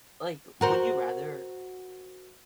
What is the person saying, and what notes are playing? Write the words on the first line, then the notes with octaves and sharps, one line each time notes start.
Like, would you rather
F#4 A#4 C5